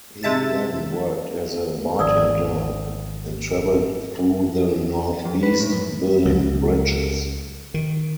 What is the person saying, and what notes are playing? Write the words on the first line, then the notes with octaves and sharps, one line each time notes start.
He then worked as a bartender and traveled through the Northeast building bridges.
C3 G#3 E5 A5 A6
G#1 F3 D5 D#6 E6
F2
B4
A2
F#2
C#2
D#3